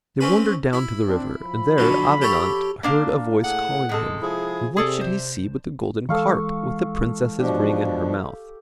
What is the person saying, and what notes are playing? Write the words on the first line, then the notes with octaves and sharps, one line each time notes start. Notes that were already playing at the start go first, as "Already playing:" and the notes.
They wandered down to the river, and there Avenant heard a voice calling him, and what should he see but the golden carp, with the Princess's ring in her mouth.
C4 C#4 B4
E4
C4 D4
F3 B5
B2 D3 F#3
G4 A4 C#5
A#3 D4 F5
A2 G#4 F#5
C3 G#3 A4
F3 E4 G#4
C3 G#4 A4 D5
C5
E3 G#3 A4 F5 C#6
B2 F3 D4 G4